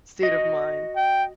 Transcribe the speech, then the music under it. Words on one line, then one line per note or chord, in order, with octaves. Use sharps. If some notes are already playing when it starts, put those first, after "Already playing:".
state of mind.
F#4 D#5
G5